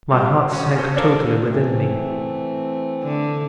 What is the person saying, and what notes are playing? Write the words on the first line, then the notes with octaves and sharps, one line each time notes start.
My heart sank totally within me.
G3 C4 F4
C#4 F#4
C#4 A4 C5
D4 F4 A4 A#4 C5 D5
E3 A3 C4
D3